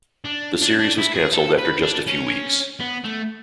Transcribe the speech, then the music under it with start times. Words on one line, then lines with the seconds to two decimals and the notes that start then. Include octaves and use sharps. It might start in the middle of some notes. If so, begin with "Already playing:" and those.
The series was cancelled after just a few weeks.
0.25 D4
0.62 D4
0.79 D4
0.98 E4
1.15 G#4
1.34 A4
1.59 B4
1.82 D4
2.07 C#4
2.80 B3
3.04 A3